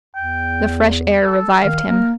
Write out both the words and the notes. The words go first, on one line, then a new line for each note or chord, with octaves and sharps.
The fresh air revived him.
E2 G5
A4
D#3 F5
A#3 A#4